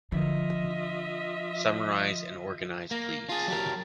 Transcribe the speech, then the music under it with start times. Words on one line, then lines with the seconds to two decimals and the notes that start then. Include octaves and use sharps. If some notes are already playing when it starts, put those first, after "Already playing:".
Summarize and organize, please.
0.12 D3 F3 F4 D#5 E5
2.91 A#3 A#5
3.29 F4 G#4 A5
3.48 F#3 G4 A#4